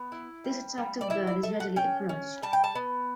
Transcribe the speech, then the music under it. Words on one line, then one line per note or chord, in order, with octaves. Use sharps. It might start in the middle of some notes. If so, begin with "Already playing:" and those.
This attractive bird is readily approached.
Already playing: B3
E4
G3
G3
D5
E4 E5
D5
A3 E5
F#5
C#4 G5
C#4
G3 A5
G5
A5
B3